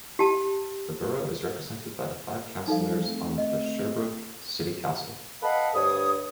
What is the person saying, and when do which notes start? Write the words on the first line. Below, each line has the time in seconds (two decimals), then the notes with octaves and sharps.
The borough is represented by five councillors on the Sherbrooke City Council.
0.19 G4 A5
2.68 F3 G3 D#4 A4 F5
3.03 A3 C4
3.38 D#5
5.42 A4 B4 D#5 F5 F#5 B5
5.75 D2 G2 C#5 D#6